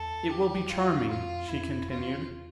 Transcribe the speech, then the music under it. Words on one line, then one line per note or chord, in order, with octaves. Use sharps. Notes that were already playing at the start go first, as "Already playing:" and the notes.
"It will be charming," she continued.
Already playing: E2 A4
G4
F4
F2 F4
F2 E4
E2 F4